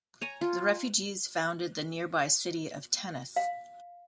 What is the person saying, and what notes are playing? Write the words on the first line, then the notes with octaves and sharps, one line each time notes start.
The refugees founded the nearby city of Tennis.
C#5 G#5 A#5
F4
F5